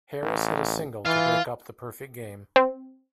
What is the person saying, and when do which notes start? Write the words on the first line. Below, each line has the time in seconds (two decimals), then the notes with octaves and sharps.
Harris hit a single to break up the perfect game.
0.22 A1
1.06 E3 F4 F5
2.56 C4